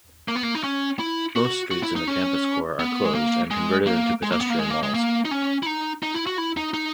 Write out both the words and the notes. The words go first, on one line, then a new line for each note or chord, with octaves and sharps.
Most streets in the campus core are closed and converted into pedestrian malls.
A#3
B3
A#3
D#4
C#4
E4
F#4
F#4
E4
D#4
C#4
B3
G#3
A#3
G#3
A#3
G#3
A#3
B3
A#3
G#3
A#3
G#3
A#3
D#4
C#4
E4
D#4
D#4
E4
F#4
E4
D#4
D#4